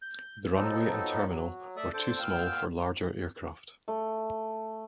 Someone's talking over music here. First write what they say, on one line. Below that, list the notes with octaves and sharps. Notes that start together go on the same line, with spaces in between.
The runway and terminal were too small for larger aircraft.
G6
F3 F#3 B3 C4 D#4 A4
F#3
A3 A4 D5 E5 D#6
D3 A4 C5 D6
A#2 B3 F5 G5 E6 F6
A3